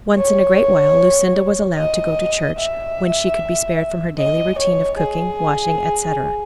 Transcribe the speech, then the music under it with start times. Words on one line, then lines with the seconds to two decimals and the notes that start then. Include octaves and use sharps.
Once in a great while Lucinda was allowed to go to church, when she could be spared from her daily routine of cooking, washing, etc.
0.18 C#5
1.78 D#5
2.59 E5
4.19 D#5
4.59 C#5
4.99 G#4